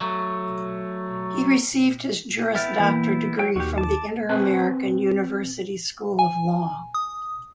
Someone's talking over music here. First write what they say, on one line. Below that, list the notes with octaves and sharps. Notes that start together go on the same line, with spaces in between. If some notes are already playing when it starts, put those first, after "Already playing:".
He received his Juris Doctor degree from the Interamerican University School of Law.
F#3 A3
B3 E4 E5 G5 F6 A6
E3 A#3
F#3 G5
D#2 D#3 F#4 G4
A5 D6
C4 B4 C5 G#5 A5
G#5
D#6